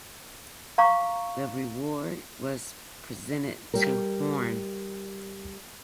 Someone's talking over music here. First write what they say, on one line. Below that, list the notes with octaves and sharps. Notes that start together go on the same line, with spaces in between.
The award was presented to Horne.
F5 A#5 C#6 D6
G3 A#4